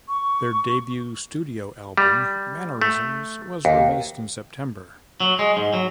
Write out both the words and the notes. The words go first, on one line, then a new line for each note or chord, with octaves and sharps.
Their debut studio album, "Mannerisms", was released in September.
C#6
G3
A3
D#2
F#3
G#3
G#2
F#3